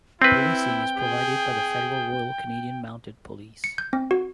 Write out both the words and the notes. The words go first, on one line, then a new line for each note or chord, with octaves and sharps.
Policing is provided by the federal Royal Canadian Mounted Police.
C4 E4 B4 G5
G#4
C#7
G6
C4
F#4